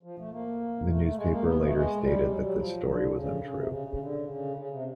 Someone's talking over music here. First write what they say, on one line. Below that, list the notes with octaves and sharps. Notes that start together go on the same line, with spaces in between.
The newspaper later stated that this story was untrue.
F3
A3
A#3
G#3
A3
A3
G#3
A#3
B3
A3
G#3
G3
F#3
G3
F#3
F3
D3
C#3
C#3
C3
C#3
C#3
D3
C#3
C#3
C3